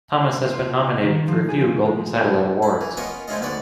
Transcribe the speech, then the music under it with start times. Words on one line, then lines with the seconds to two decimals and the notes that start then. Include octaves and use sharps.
Thomas has been nominated for a few Golden Satellite Awards.
0.21 C5
0.53 F4
1.02 D#3
1.28 F3
1.49 G#4
1.61 F4
1.86 G#3
2.63 E4
2.81 E3
2.97 B3 C#4 F4 A#4 C#5 D#5
3.28 F3 G#3 C#4 E4 F4 D#5
3.40 D2 G#2 B3 C#5 D5